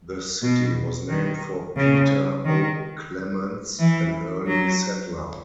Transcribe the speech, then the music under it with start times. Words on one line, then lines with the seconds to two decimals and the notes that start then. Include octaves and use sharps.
The city was named for Peter O. Clements, an early settler.
0.42 B2
1.09 D#3
1.76 C#3
2.45 D#3
3.79 E3
4.46 F#3